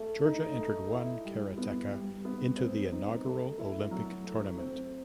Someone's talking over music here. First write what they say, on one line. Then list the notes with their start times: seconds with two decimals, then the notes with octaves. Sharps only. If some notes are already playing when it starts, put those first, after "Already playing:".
Georgia entered one karateka into the inaugural Olympic tournament.
Already playing: A3
0.25 D#4
0.59 A3
0.91 E4
1.25 G3
1.58 B3
1.91 G3
2.25 B3
2.57 C4
2.92 D#4
3.25 A3
3.58 E4
3.91 F#3
4.24 A3
4.57 C4